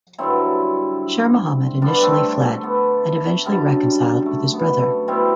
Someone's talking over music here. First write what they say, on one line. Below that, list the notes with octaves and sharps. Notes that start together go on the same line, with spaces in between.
Sher Mohammad initially fled and eventually reconciled with his brother.
G2 D3 F#3 C4 E4
G2 D3 G3 B3 D4
D4
A3 C4
A3
B3
F#2 D3 G3
A3
B3
A3
B2 G3 C4 E4